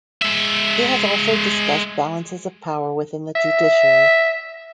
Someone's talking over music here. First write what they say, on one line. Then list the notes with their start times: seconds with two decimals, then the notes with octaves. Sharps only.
He has also discussed balances of power within the judiciary.
0.22 G#3 E5
3.36 E5